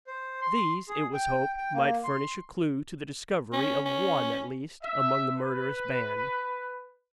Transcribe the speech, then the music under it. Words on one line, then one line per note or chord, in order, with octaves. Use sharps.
These, it was hoped, might furnish a clew to the discovery of one at least among the murderous band.
C5
C6
G#4
G5
G5
A#3
C6
C#4
C#4
E5
B4